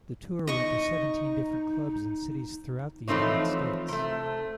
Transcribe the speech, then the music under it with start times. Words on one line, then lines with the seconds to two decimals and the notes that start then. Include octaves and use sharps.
The tour went to seventeen different clubs in cities throughout the United States.
0.47 D#4 D#5 C#6
3.08 E3 F3 A3 C4 D#4 C#5
3.88 C3 A3